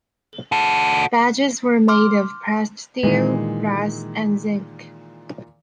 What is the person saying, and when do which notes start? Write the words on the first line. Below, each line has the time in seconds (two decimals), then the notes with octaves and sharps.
Badges were made of pressed steel, brass and zinc.
0.52 F#4 A4
1.88 C6 D6 F6
3.03 A#2 D#3 E3 G#3